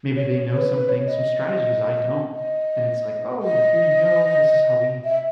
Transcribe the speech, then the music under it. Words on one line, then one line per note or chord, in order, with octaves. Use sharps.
Maybe they know some things, some strategies I don't and it's like, "Oh, here you go. This is how we
C#5
C#5
C#5
B4
B4
C#5
D#5
D#5
D#5
E5